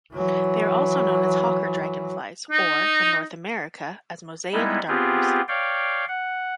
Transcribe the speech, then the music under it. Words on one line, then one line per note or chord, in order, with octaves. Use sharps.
They are also known as hawker dragonflies, or, in North America, as mosaic darners.
E3 F#3
D#4
G3 G#3 B3 D#4 E4
B3 C4 F4 G4 G#4
C#5 D5 F5 G5
F#5